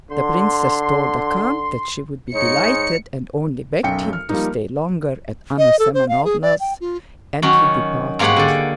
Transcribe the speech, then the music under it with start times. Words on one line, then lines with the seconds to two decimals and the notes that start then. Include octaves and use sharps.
The princess told the count that she would be delighted, and only begged him to stay longer at Anna Semenovna's, and he departed.
0.11 D3 C6
2.33 G#2 G#3 D#4 C#5 C#7
3.83 B1 F#2 G5 C#7
4.13 F6
4.29 F3 G3 A#3 D#4
5.58 D#5
5.79 A4
5.94 C5
6.09 F5
6.25 G#4
6.42 D5
6.60 G5
6.81 F4
7.42 D#3 F#3 C#4 F#4
8.19 G#2 A#3 G4 A#4 C#5 F#5
8.36 D3 D5